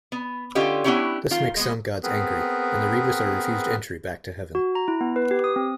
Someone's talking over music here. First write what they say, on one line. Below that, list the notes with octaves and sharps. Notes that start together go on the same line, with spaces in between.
This makes some gods angry, and the Ribhus are refused entry back to heaven.
B3
D3 C#4 F4 G4 D#5
B3 C#4 D4 E4 G4 C#5
D#3 F4
G#3 B3
B3 C4 G#4 A#4 B4
F#4
A#5
E4
B3
B4
G4
D#6
C4